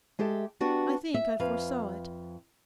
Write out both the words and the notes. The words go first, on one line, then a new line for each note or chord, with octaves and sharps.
I think I foresaw it.
G#3 G4 A4 E5
B3 D4 F#4 G4
E5
F2 B4 F5